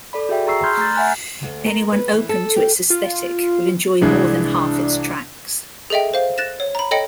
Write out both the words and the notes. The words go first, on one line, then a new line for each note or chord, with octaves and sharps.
Anyone open to its aesthetic will enjoy more than half its tracks.
A4 D5 B5
F#4 G#4 E5 G5
G#4 A#5 C#6 E6 C7
B5 C6 F6 G6 G#6
A3 A#5 G6 A6
E5 F#5 G#5 B5 F6 F#6
D2
A#4
B4
E3
A4
G4
F4
C2 E3 G#3 D4
G#4 A4 D#5 E5 G5
C5 F5
F#6 A6 A#6 E7
C#5
A#5 B5
A4 C#5 D#5 G5 A#6 C#7